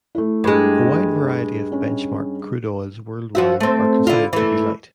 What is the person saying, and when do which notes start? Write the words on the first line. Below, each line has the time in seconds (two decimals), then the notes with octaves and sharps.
A wide variety of benchmark crude oils worldwide are considered to be light.
0.15 A3 E4
0.44 G2 G#3
1.72 C#4
3.35 F3 F#4 E5
3.60 A3 C4
4.07 D3 E4 F4
4.33 E3 A3